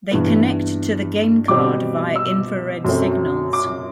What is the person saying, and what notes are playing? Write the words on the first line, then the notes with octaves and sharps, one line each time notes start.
They connect to the game card via infrared signals.
G2 E3 B3
B2 G3 C4 D6
E6
F#2 F#3 A3 C4
D6